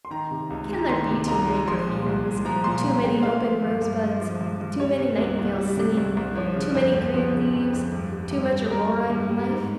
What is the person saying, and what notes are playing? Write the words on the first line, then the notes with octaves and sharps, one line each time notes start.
Can there be too many perfumes, too many open rose-buds, too many nightingales singing, too many green leaves, too much aurora in life?
C6
D#3 A#5
C3
C#2
G#3
A#5
D#3 C6
C3
C#2 A#5
G#3
F3 C6
A#2
C2
G#3
F3 A#5
A#2 C6
C2 A#5
G#3 G5
G#3 F5
F3
G2
G2
G#3 D#5
F3
G2
G2
G3 C#5
C3
C2
C2
G3
C3
C2
C2
F3 C#5
C#3
F2 C5
F2
F3
C#3
F2
F2
G2
G3
G2
G3
G2 A#4
G3
G2
G3
G#2